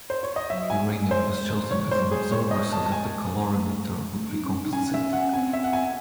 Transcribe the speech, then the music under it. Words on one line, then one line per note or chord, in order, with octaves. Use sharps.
Uranium was chosen as an absorber so that the calorimeter would be compensating.
C5
C#5
D#5
F#3 E5
G#5
G#3
G#3 C5
G#3
G#3 C#5
C5
G#4
C#5
D#5
A5
A5
G#5
A3
A3
D#4
C#4
D#4
C#4 G#5
E5
F#5
C4 G#5
E5
F#5
G#5